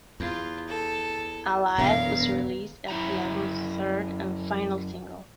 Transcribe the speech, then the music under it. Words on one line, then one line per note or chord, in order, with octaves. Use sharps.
"Alive" was released as the album's third and final single.
E2 F4
A4
E1 F#2 A#2 B3 F5 A#5
F#2 B2 E4 A#5